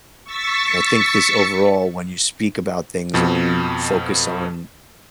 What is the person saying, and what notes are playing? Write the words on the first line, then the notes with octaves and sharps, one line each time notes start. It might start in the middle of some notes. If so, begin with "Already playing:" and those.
and I think this overall when you speak about things and when you focus on
C#6 E6 A6 B6 C#7
F2 B2 F3